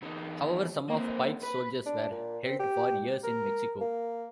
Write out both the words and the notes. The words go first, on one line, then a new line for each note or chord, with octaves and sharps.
However, some of Pike's soldiers were held for years in Mexico.
E2 D#4
A#3 C4
B4
D4
A#2
C4
G4
A#4
A#3